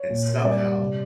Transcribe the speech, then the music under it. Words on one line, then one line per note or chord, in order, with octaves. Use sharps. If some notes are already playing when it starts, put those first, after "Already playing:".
And somehow
Already playing: C#5
A#2
A#3
G2 D5
G3
C3